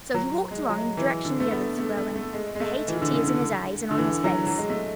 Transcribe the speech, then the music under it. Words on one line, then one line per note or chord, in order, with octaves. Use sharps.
So he walked along in the direction the others were going, the hating tears in his eyes and on his face.
F#3
G#3
F#3
E3
D3
A3
B3
A3
A3
A3
G#3
G#3
A3
E3
D3
C#3
D3
D3
E3
F#3
F#3
G#3
A3